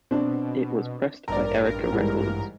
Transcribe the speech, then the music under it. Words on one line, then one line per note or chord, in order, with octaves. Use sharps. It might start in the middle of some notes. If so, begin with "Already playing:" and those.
It was pressed by Erika Records.
B2 C4 D4
A1 G2 A#4 D5 A#5
G#2 E3 G3